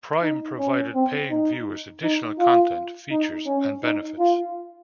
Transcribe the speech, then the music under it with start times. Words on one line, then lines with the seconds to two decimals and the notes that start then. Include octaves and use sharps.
Prime provided paying viewers additional content, features, and benefits.
0.22 D#4
0.58 C#4
0.94 C4
1.30 D#4
2.03 D#4
2.38 F4
3.11 D#4
3.46 C#4
3.83 D#4
4.19 F4